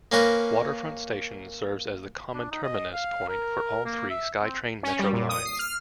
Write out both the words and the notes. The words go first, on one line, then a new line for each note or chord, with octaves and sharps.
Waterfront station serves as the common terminus point for all three SkyTrain metro lines.
A#3 C#4 A#4 B4
D4
D#4
D#5
F5
A#4
A#3
E5
C4
C#4
G3
A#2
D#6
C7
F6